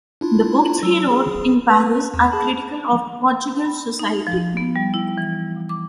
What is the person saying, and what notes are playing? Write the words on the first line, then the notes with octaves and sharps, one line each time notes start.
The books he wrote in Paris are critical of Portuguese society.
D4 E4 F4
F#3 E6
G#4
B4
E2
G#4 A5 B5
B5
D#4
F3
B3
G3
E4
E3
D6